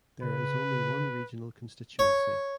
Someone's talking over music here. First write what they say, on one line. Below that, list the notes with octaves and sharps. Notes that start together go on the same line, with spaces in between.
There is only one regional constituency.
C#3 B4
C#5